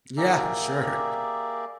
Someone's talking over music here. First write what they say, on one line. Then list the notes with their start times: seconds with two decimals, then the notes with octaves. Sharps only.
Yeah, sure.
0.17 A#3 G4 G#4 A#4 D5 E5